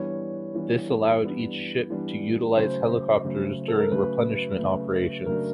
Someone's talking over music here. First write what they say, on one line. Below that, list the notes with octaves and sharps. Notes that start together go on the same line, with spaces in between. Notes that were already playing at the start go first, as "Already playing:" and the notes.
This allowed each ship to utilize helicopters during replenishment operations.
Already playing: E3 G3 B3 D4 C#5
E3 G3 B3 D4
E3 G3 B3 D4
E3 G3 B3 D4
C#3 F#3 A3 C5
C#3 F#3 A3
A4
A#4
C#3 F#3 A3 B4
C#3 F#3 A3
C#3 F#3 A3 D4 A#4